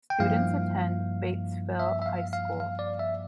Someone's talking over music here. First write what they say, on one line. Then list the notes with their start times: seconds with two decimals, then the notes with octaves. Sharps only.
Students attend Batesville High School.
0.10 G5
0.20 G2 F3 A#3 E4 F5
1.80 E5
2.02 E5
2.06 F5
2.33 F5
2.60 F5
2.79 D5
2.99 E5